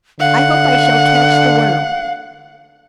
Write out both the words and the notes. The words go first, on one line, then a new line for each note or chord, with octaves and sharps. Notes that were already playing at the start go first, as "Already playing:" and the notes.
"I hope I shall catch the worm."
D3 F5 F#5